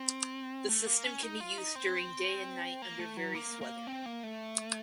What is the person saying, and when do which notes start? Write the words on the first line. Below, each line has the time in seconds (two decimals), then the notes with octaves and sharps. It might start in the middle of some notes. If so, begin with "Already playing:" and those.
The system can be used during day and night under various weather.
Already playing: C4
0.69 A3
0.87 A#3
1.04 C#4
1.23 D#4
1.40 F4
1.58 D#4
1.75 C4
2.82 A#3
2.99 A3
3.17 F#3
3.35 A#3
3.61 A#3
3.87 C4
4.06 A#3
4.23 A3